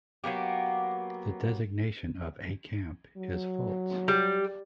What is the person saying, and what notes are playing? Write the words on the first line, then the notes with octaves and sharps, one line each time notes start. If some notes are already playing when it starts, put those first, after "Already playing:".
The designation of "a camp" is false.
F#3 A#3 B3 G4
F#3
G3